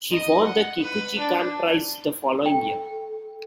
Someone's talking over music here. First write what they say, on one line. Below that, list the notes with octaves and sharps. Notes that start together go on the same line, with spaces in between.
She won the Kikuchi Kan Prize the following year.
D#5
F#5
B4
D4
A4 G5